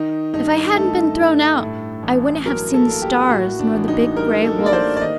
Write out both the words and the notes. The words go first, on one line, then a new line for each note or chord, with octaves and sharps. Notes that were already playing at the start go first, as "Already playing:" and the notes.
"If I hadn't been thrown out I wouldn't have seen the stars, nor the big gray wolf."
Already playing: D#3 D#4
G2 D#4
A3 A4
G2
A2
A1
F#3 A#4
A4
A#3
G4
A2 F#4
D4
A1
D#4
G3 A#4
A4
A#3
D5
C5
D5
D#3 D#5